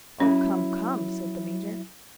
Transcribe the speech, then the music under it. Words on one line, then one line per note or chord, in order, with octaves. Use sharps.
"Oh, come, come!" said the Major.
F#3 C#4 E4